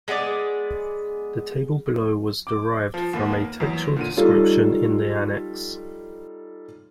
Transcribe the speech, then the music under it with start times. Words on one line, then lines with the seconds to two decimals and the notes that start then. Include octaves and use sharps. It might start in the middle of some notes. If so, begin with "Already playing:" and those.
The table below was derived from a textual description in the annex.
0.08 G#3 B3 G#4 D5
2.47 D6
2.94 F3
3.13 D#2 B3
3.31 A#3
3.60 E2 F#3
3.96 A#2 D3 D#7
4.17 G3 D#4 F4 A4 C#5